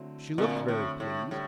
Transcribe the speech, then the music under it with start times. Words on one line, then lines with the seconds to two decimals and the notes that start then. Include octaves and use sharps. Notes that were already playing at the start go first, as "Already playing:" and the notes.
She looked very pleased.
Already playing: D3 F#3 A3 C4 E4
0.38 A#2 D3 F#3 A3 C4 E4
0.68 A2
1.00 A2
1.31 A2 D3 G3